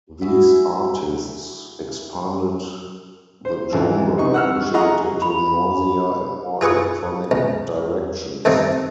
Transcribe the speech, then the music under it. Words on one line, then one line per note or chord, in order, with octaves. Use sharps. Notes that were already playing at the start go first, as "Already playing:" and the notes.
These artists expanded the genre by pushing it into noisier and more electronic directions.
E4 F#4 G#4 E5
C5
G#1 C#3 E3
C3 D#4 C#6
F#5 E6 F6
F4 G#4 D#5 F#5 A#5 C#6
B5
F4 G#4 B4 C#6 D#6
C#2 B2
G2 D#3 A3 A#3 C4 D#4